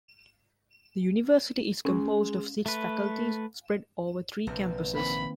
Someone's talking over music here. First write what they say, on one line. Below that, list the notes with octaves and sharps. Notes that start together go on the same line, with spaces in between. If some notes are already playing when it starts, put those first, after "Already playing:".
The university is composed of six faculties, spread over three campuses.
G#3 C#4
A3 B4
A#1 C3 B3
D#3 A#3 C4 B5